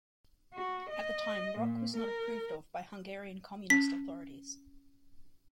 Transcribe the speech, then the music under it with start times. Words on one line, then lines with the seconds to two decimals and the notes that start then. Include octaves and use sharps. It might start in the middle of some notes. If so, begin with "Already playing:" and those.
At the time, rock was not approved of by the Hungarian Communist authorities.
0.53 F#4
0.89 D#5
1.57 A#2
1.95 A#4
3.70 C#4 B6